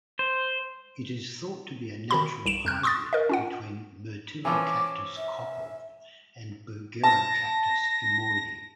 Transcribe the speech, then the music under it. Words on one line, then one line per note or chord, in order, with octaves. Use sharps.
It is thought to be a natural hybrid between "Myrtillocactus cochal" and "Bergerocactus emoryi".
C5
D#3 F#4 B5
C2 D7 E7
F2 F6 F#6
C6 C#6 D#6 F#6 A6
A#4 D#5
C#4 F4 F#5
E3 F3 C#4 D6
E5
A5 A#6